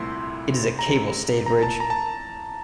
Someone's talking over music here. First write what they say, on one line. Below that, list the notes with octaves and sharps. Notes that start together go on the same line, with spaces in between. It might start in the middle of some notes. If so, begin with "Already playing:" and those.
It is a cable-stayed bridge.
Already playing: C2 A#2 A3 C4 E4 C6
A#5
A#5
A5
A#5
A5